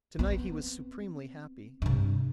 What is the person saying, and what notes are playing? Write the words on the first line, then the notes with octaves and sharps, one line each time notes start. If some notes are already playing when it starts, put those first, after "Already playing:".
To-night he was supremely happy.
B3 C4
G2 C3